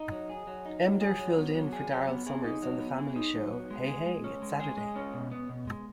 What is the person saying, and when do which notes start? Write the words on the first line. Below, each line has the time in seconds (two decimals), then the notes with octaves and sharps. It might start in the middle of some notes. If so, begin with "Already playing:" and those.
Emdur filled in for Daryl Somers on the family show "Hey Hey It's Saturday".
Already playing: D#4
0.11 F#3
0.30 G#4
0.47 F#3
0.65 D#4
0.83 F#3
1.01 G#4
1.19 F#3
1.37 B3
1.55 F#3
1.73 G#4
1.91 F#3
2.09 B3
2.26 G#4
2.44 D#4
2.62 F#3
2.80 B3
2.98 G#4
3.16 D#4
3.35 F#3
3.52 B3
3.71 G#3
3.87 G#4
4.06 G#3
4.24 C#4
4.42 G#3
4.60 G#4
4.78 G#3
4.96 C#4
5.14 B2
5.31 B3
5.49 B2
5.67 G#3